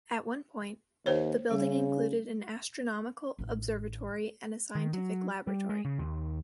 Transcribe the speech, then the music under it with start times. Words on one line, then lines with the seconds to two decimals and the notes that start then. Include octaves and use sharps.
At one point, the building included an astronomical observatory and a scientific laboratory.
1.06 D#2 A#3 C5 C#5
1.51 C#3 G3
3.39 A1 D#3
4.75 D#3
4.93 F#3
5.47 G3
5.69 G#3
5.85 C#3
5.99 D#2